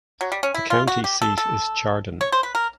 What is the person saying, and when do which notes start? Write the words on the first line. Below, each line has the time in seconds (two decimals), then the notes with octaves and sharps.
The county seat is Chardon.
0.21 F#3
0.32 G3
0.43 C#4
0.54 E4
0.70 F4
0.87 F#4
1.04 G4
1.22 A4
1.38 A4
2.21 C#5
2.32 C5
2.43 B4
2.55 A#4